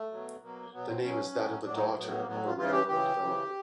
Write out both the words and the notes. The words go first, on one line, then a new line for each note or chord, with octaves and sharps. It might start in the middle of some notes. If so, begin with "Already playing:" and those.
The name is that of a daughter of a railroad developer.
Already playing: A3
B2 F#3
B2 F#3 A#3
B2 F#3 B3
C4
B2 F#3 C#4
A2 F#3
A2 F#3 D4
D#4
A#3
A2 F#3 B3
B3
A#3
A2 F#3 B3
F4
C#3 E3 F4
G4
C#3 E3 G4
C#3 E3